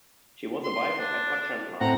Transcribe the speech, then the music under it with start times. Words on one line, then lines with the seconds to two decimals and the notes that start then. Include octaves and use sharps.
She was the wife of Edward Chandler.
0.64 C6
0.99 D4
1.81 A2 C4 F#5 A#5